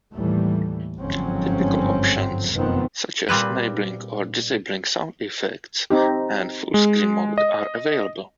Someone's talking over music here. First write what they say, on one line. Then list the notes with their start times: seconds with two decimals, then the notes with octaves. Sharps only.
Typical options, such as enabling or disabling sound effects and full-screen mode are available.
0.14 D#2 A2 E3 G3 A3
0.99 G1 G#2 F3 F#3 C4 C#4
2.53 F1 F#2 D#3 F3 B3 C4
3.29 A#2 G3 C4 B4
5.90 C4 D#4 G4
6.74 G#3
7.38 D#5